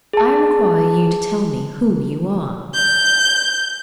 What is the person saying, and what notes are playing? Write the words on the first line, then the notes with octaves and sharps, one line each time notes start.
I require you to tell me who you are.'
G#4 A5
G6